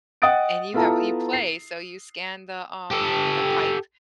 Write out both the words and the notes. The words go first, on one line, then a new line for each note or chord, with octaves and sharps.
and you have you play, so you scan the, um, the pipe,
D#5 F#5 G5 D#6 A6 D7
B3 E4 F4 A4 A5 A#5
C7
G4 A4